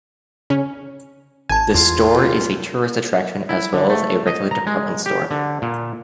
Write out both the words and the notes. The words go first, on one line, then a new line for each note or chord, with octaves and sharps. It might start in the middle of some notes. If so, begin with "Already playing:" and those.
The store is a tourist attraction as well as a regular department store.
C#3 C#4
G#1 G#5 A5 G#6
E2 F4
E4
D3
A3
D#5
A#5
G#3
G4
D3
A#2